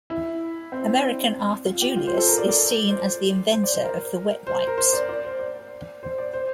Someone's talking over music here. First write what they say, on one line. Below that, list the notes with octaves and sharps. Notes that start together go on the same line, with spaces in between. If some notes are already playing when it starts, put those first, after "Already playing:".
American Arthur Julius is seen as the inventor of the wet wipes.
E4
C4
E4
D4
F4
G4
F4
C5
A4
A#4
D5
D5
C5
C5
D5
C5
A#4
C5
A#4
C5
D5
D5
C5
D5
C5
D5
C5